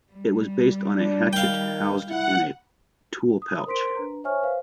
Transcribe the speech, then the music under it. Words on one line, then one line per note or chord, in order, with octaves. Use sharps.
It was based on a hatchet housed in a tool pouch.
G3
D4
D#3 F5 G5
E4 F#5
D#6
A#4 C5 C6 B6 D7
D4 B4 A#5
C5 C#5 E5 G#5 C#6 F6
B4 C5 F5